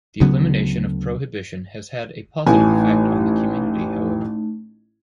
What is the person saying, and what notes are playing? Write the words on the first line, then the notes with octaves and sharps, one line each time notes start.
The elimination of prohibition has had a positive effect on the community, however.
D2 C#3 F#3 B3
A1 E3 A3 D#4 G#5